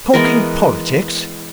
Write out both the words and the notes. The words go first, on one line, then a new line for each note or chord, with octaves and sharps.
"Talking politics?"
E3 G#3 B3 A#4